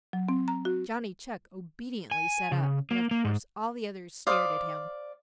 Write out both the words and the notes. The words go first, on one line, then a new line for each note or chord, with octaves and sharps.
Johnny Chuck obediently sat up, and of course all the others stared at him.
F#3
C4
A#5
F#4
G#5
C#3
A#3
A#3
G#2
C5 D5 F5 D#6